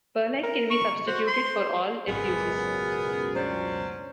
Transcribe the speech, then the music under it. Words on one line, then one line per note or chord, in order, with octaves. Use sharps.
Perlite can be substituted for all of its uses.
A#4
C#6
F#4 C5
C6
G#1 C#2 F#2 B2 B3 G#4 A#4
E3 F#3 A3 C#4 D4 C5